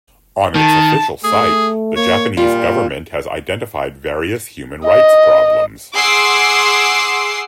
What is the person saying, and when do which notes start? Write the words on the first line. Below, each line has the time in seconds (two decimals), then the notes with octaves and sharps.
On its official site, the Japanese government has identified various human rights problems.
0.55 D#3 A5
1.24 A3 G#4
1.96 A#3 C#5
2.37 A#2 G3 F4
4.85 D#5
5.93 G#4 F#5 C6 D6 E6 C7